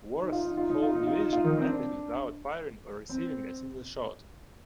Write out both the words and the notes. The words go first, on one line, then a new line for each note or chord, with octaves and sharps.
Worth's whole division landed without firing or receiving a single shot.
D#4
F4
D#4
F4
D#4
F4
D#4
F4
D#4
F4
D#3 D#4
C4
D4
C4